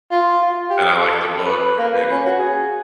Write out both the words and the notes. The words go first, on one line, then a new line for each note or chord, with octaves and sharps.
and I liked the book and
F4
F4
G4
A4
B4
A#3
B4
C#4
F#4
G#4